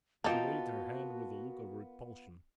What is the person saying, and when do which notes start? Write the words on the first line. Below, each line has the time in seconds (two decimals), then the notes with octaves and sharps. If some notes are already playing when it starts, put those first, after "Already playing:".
She waved her hand with a look of repulsion.
0.24 A#3 B3 D#4 F4 F#4 A#4 G5 A5